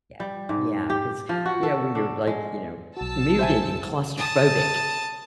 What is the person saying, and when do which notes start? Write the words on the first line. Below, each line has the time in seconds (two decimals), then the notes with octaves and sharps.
Yeah. Yeah, 'cause, you know, when you're, like, you know, muted and claustrophobic,
0.20 G3
0.49 G#2
0.90 G4
1.29 F3
1.45 F#4
1.63 A4
1.95 D4
2.27 G#3
2.97 B1 F#4 A5 E6
3.39 C5 E5 G#5
4.17 A5 D#6